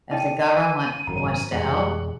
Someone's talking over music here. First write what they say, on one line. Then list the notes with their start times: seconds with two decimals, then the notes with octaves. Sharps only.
If the govern want wants to help,
0.11 D#4 D#5 G5 D#7
1.07 G#1 F#2 A2 A#5
1.52 F2 B2 E3 G#3 G4 F#5